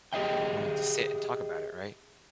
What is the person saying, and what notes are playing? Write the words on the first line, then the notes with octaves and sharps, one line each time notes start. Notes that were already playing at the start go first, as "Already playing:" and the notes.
we need to sit and talk about it. Right?
G4 G#4 C5 D#5 E5 G5